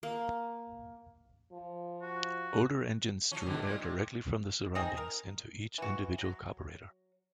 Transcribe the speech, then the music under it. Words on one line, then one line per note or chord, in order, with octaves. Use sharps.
Older engines drew air directly from the surroundings into each individual carburetor.
A#3
F3
F#4
F3 C#4
B2 D3 D#3
A#2 G3
C3
C4 D#4 G#4 D#5
A#4
E3 F#4
F#3